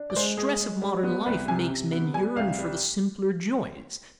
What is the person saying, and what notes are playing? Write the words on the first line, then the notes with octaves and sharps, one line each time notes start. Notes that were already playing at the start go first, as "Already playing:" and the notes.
The stress of modern life makes men yearn for the simpler joys.
Already playing: D4
D5
G#3 C5
G#3 G#4
G#3
G3
B3
C2 B4
C3 G#5
C3
B3
G3 G#5
C2 F5
G3